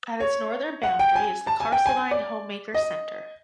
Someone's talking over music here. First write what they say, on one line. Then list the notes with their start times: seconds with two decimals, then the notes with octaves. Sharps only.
At its northern boundary is the Carseldine Homemaker Centre.
0.20 C#5
0.83 F#5
0.99 G5
1.15 G#5
1.47 A5
1.60 G#5
1.72 G5
1.86 G#5
2.11 D5
2.74 D#5